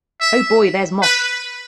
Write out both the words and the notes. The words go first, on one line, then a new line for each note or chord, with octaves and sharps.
Oh boy, there's 'Mosh'.
E5
B4